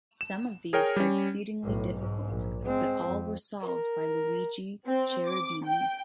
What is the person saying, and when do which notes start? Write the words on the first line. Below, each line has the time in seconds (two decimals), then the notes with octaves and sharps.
Some of these are exceedingly difficult, but all were solved by Luigi Cherubini.
0.21 E7
0.73 G#4 A#4 C#5 G5
0.96 G3 C#4
1.63 B1 A2
1.98 G#2
2.28 A#1
2.65 G#3 C4
3.07 F2
3.64 A#4
4.87 C4
5.27 D6
5.65 G5